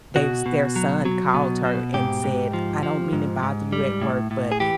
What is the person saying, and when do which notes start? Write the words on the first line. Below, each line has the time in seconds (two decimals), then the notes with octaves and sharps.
their s their son called her and said, "I don't mean to bother you at work, but
0.16 B2 F#4
0.46 B2
0.76 F#3
1.05 F#3
1.34 B2
1.65 B2
1.94 G#2 G4
2.24 G#2
2.53 F3
2.83 F3
3.13 G#2
3.43 G#2
3.73 G3
4.02 A2
4.31 A2
4.52 G#4
4.60 E3 G4